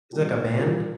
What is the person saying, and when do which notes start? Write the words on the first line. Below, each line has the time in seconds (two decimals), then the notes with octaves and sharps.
It's, like, a band?
0.12 A#2 G3 A#3
0.59 A#2 G3 A#3